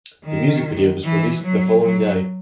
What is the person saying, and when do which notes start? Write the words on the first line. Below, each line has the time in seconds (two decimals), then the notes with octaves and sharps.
The music video was released the following day.
0.24 D#3
1.04 E3
1.43 F#3
1.82 F#3